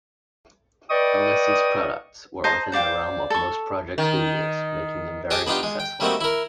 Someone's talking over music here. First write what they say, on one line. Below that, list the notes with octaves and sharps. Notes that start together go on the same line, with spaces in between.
Alesis' products were within the realm of most project studios, making them very successful.
B4 D5 D#5 G5 C#6 D#6
C5 D#5 A5 A#5
C5 D5 F5 G5
A4 C#6
D#3
G4 G#4 D#5 A5 D6
B3 D4 D#4 F4 G4
G#3
G5
G3 A3 A#3 C4 D#4 F#4
E4 A#4